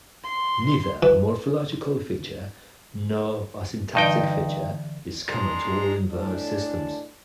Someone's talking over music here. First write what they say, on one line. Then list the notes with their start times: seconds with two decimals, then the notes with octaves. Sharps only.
Neither a morphological feature nor a syntactic feature is common to all inverse systems.
0.24 C6
1.03 E3
3.95 G2 D3 E3 D#4 G5
5.27 G#3 D4 A#5 C6
6.11 A2 D3 G#3 D4